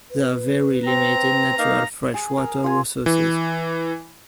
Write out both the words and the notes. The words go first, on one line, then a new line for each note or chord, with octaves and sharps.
There are very limited natural fresh water resources.
B4
C4 A#5
A#3 D#4 F5
G#4
A#4
F4 G#5
E3